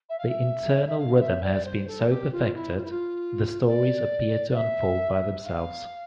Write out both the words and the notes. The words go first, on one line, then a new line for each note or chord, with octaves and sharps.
The internal rhythm has been so perfected, the stories appear to unfold by themselves.
E5
F5
E5
E5
F5
E5
D5
C5
A4
G4
F4
E4
F4
E4
F4
D5
D5
E5
F5